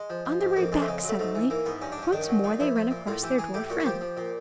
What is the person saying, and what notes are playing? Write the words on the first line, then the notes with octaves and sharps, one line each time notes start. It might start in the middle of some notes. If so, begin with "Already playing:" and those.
On their way back, suddenly, once more they ran across their dwarf friend.
Already playing: G#3
F3
F3
G#2
F2 A#3
F2 G#3
A3
C#3 G#3
G#3
F#3 A3
G#2 A3
E3
E3 A#3
G#2 B3
G2 C#4
D4
G2 C#4
D#3 D4
C#4
F#3
A#2 D#4
F3 E4
F3
A#2
A2 F4
E3 G4
E3 G#4
A2 G4
A#2 F#4
F#4
F3 G4
F3
A#2